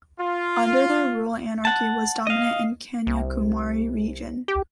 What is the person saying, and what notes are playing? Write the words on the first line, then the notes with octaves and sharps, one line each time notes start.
Under their rule anarchy was dominant in Kanyakumari region.
F4
F#5 A5
D#5 F5
C2
G4